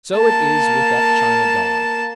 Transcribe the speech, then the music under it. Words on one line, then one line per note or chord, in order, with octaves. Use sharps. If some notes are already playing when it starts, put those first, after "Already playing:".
So it is with that china dog.
A#3 A5